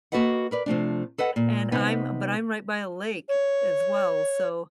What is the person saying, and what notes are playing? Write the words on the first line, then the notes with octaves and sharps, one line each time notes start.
and I'm but I'm right by a lake as well, so
A#3 F#4 A4 B4 D#5 F#5
A#4 B4 D5
C3 F3 A3 D4
A4 B4 D#5 F#5
A#2
C3 B3 D#4 B4
C#5